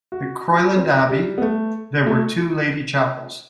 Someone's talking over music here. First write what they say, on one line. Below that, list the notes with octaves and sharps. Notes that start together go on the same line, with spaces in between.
At Croyland Abbey there were two lady chapels.
F#4
C4
G3
B3
A3
A3